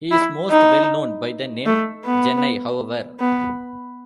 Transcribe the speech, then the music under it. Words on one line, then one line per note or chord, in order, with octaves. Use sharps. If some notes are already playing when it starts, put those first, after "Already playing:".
He is most well known by the name "Gennai", however.
E4
D#4
A3
B3
B3